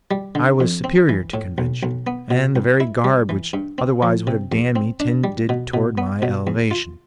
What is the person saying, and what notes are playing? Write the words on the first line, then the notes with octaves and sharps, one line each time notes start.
I was superior to convention, and the very garb which otherwise would have damned me tended toward my elevation.
G3
D3
F2
C4
E3
A2
B1
B1
B3
B2
C2
E4
G3
E3
G2
C4
F3
C3
E2
C4
D4
G3
B2
B2
B3
B2
E2
F4